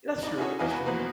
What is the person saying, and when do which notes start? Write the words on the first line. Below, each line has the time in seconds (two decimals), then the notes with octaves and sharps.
That's true that's true.
0.23 D#4 D5
0.37 C#4 E4 F#4 G#4 A4 C#5
0.59 E2 E3 D#5 F5 G#5
0.72 F#4 B4
0.85 B2 E3 F3 A#3 F#4 B4